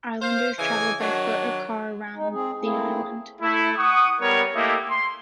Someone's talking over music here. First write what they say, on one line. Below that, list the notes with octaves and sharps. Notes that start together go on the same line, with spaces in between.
Islanders travel by foot or car around the island.
C5 F5
C#3 E3 D#5 G#5
D#3 F#3 D4
G#3 D#4
C4 G#4
A3 A#3 C4 E4 G#4
A3 E4
F#5 C#6 D#6
G3 B3 A#4 C#5
A3 A#3 E4 G4 D#5
C6